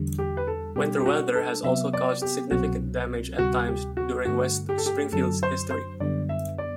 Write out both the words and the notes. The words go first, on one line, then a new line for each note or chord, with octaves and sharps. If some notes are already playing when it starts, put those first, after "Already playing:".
Winter weather has also caused significant damage at times during West Springfield's history.
Already playing: E2 D3 G3
G4
B4
A4
B2 G3 D4 G4
G4
F#4
A4
C3 F#3 B3 E5
D5
G4
C2 B2 F#3 C4 F#4
D2 C3 G3 F#4
G4
F#4
G2 D3 A3 F#4
G4
A4
G4
F#2 D3 F#3 A4
C5
C5
F#2 D3 G3 B3 D5
E5
D5